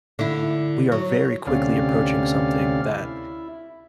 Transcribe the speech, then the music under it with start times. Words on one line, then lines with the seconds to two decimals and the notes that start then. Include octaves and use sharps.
we are, very quickly, approaching something that,
0.19 D3 E4
0.92 F#3
1.47 D2 C3 C#4 D5 F5
2.88 E4